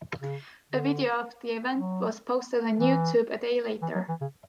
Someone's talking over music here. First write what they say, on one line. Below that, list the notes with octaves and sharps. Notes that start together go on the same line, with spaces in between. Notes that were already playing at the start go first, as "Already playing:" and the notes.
A video of the event was posted on YouTube a day later.
C#3
D3
F#3
E3
E3
F#3
E3
C#3